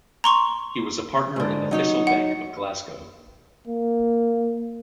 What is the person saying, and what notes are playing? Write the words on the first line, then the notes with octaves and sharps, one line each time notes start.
He was a partner in the Thistle Bank of Glasgow.
A#5 C6 C#6
G#2 D3
F#3 D#4 C#5
F#5
A#3